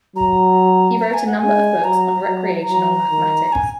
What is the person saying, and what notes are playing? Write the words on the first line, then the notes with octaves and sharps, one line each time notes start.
He wrote a number of books on recreational mathematics.
F#3 A#5
A#5
G#5
F#5
G#3 G#5
F#3 A#5
F#3
F#3 A#5
D#3
G#5